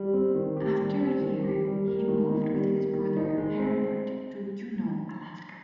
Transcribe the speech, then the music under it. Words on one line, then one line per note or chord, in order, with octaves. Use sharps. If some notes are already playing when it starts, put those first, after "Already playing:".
After a year, he moved with his brother Herbert to Juneau, Alaska.
Already playing: G3
C4
D#3
G4
G3
C4
D#3
G4
G3
A#3
D#3
D#4
G3
A#3
D#3
D#4
G#3
C4